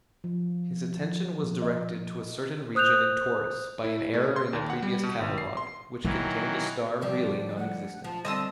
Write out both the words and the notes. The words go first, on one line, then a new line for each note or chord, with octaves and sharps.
His attention was directed to a certain region in Taurus by an error in a previous catalogue, which contained a star really non-existent.
F3
F3
A#2
D#5
C5 D#6 F#6 G6 F7
E4
A3
C6
D#2
F#5
G3
B2
G#1
C7
C6
D#3 E3 F#3 B3
D3 F3 G3 D5
A3 F#5
F3 A5
D3 G3 C4 D#5 A5 C6 E6